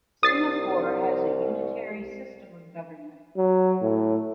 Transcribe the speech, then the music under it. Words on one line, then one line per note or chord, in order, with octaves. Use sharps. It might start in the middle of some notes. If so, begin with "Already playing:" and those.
Singapore has a unitary system of government.
C2 D#6 A6 C7
F#3
A2